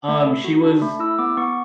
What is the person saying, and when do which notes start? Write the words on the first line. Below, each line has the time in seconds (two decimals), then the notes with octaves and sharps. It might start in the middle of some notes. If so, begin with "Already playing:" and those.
um, she was
0.08 A3
0.27 A4
0.44 F#4
0.63 D4
0.82 A3
0.99 E4 E6
1.19 B3 D6
1.37 B3 C#6